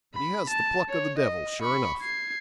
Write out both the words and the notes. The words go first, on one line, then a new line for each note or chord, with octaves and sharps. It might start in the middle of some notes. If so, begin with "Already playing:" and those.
But he has the pluck of the devil, sure enough.'
B5
A5
C#5
D#5
B5 C#6
G#6 C7